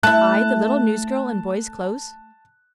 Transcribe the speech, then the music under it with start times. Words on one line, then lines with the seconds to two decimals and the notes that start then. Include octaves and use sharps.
I, the little newsgirl in boy's clothes?
0.03 A3 E4 A5 F#6